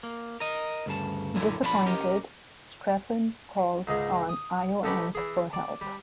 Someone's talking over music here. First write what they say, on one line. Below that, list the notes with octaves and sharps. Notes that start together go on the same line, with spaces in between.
Disappointed, Strephon calls on Iolanthe for help.
A#3
A#4 D#5
D2 G2 C#3 A5
F#2 A#2 D3 E4
B1 F3 D4 C5 B5
C#4 G4 A#4 D#5
C#2 G#2 D#4 G#4
D#6
A3 C#4 D#4 G4 B4
E3 G#4
D5
G3